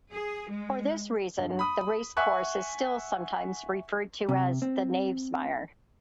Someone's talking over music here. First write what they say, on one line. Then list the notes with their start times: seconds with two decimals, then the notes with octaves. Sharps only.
For this reason, the racecourse is still sometimes referred to as "The Knavesmire".
0.13 G#4
0.51 G#3
1.38 G2
1.59 B5 D#6
2.17 E5 F#5 G#5 C#6 F#6
4.29 C3
4.62 C4